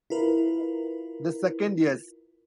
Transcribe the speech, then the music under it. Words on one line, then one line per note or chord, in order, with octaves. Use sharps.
The second, Yes!
E4 F4 A#4 B4